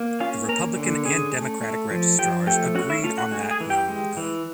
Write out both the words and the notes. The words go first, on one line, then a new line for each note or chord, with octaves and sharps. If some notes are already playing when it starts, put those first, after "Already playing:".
The Republican and Democratic registrars agreed on that numbe.
Already playing: A#3
C#4 F4 F5
A#3 A#4 A#5
D3
C#4 G#4 G#5
A3
A3
F3
F3 G4 G5
A3 G4 G5
C#4 F#4 F#5
E4 E5
A3 F4 F5
F#4 F#5
G#3 F#4 F#5
G#4 G#5
E3
G4 G5
G#3
E3